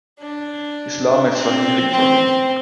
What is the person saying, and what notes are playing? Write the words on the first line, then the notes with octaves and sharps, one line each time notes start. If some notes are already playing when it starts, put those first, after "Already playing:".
Islam is a healing for me.
D4
C4
C4